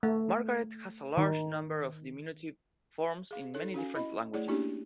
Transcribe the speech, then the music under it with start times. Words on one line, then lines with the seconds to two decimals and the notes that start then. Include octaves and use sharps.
Margaret has a large number of diminutive forms in many different languages.
0.03 A3
1.17 D#3
3.31 G#4 F5
3.54 D#4 A4 C#5
3.74 C#4 F#4 F5 G#5
3.95 E4 D#5 B5
4.34 A3 E4 G#4 C#5 D5
4.48 A#3 C#4 D4 E4 F#4 G4